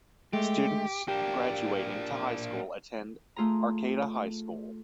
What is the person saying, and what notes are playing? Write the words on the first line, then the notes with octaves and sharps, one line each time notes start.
Students graduating to high school attend Arcata High School.
G#3 A3 G4
A#3 D4 G4
A3 F4 G#4 A#5